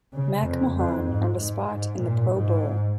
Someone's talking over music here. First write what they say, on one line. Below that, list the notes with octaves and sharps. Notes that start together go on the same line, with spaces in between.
McMahon earned a spot in the Pro Bowl.
C#3
F2
F2
G#2
G#2
G#2
A#2
G#2